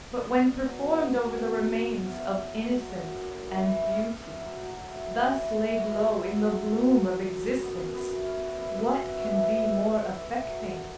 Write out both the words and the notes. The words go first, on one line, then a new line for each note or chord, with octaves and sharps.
But when performed over the remains of innocence and beauty, thus laid low in the bloom of existence, what can be more affecting?
G2 B3
G2
F#3
F#3
B2
B2
F#3
F#3
A2 C#4
A2
F#3
F#3
F#2
F#2
E3
E3
A2 C#4
A2
F#3
F#3
A2
A2
E3
E3
A2 F#4
E4
D4
A2 E4
F#3
F#3
F#3
F#2
F#2
C#3
F#2 B3
F#2
B3
E3
C#4
E3
F#4
F#2 E4
F#2
F#4
E3
F#4
E3 E4
D4
E4
A2
A2
E3
E3
F#3
F#2